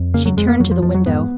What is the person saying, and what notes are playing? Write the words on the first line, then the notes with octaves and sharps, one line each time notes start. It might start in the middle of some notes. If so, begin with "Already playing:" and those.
She turned to the window.
Already playing: F2
C#3 A#3
F#3
F2 G#3
A#3
F2 F#3
F3
F2 F3
F#3
G#2 B3